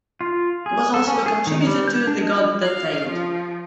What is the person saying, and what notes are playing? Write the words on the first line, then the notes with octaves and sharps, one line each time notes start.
He was also a contributor to "The God That Failed".
F4
G#4
A4
C#4
G#4
D#3
G3
G6
D4
D#5
F5
F3